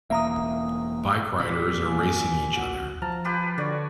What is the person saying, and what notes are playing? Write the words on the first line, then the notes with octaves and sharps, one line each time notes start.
Bike riders are racing each other.
E1 A#3 E5 A#5 D#6
A#2 G3 A#3
G#5
F#4
F3 A5 A#5 F6
F4 G4 B4
D3 F#4 C#5 D5